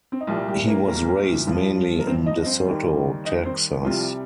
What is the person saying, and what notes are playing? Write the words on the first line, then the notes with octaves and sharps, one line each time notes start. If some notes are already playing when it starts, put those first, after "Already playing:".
He was raised mainly in DeSoto, Texas.
C4
D#4
C2 A#2 F3 G3 F4
G3 G4
A#3 A#4
A#3 A#4
G2 F3
A#4
C4 C5
D#4 D#5
D#5
C4 C5
D#2 D#3 G3
D#4 D#5
C4 C5
C2 C3 F3 G3 F4